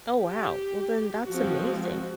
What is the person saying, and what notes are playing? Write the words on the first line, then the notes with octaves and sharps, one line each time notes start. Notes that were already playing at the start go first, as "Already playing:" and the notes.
Oh, wow. Well, then that's amazing.
G4
F3 G#3 C4 F#4
F#4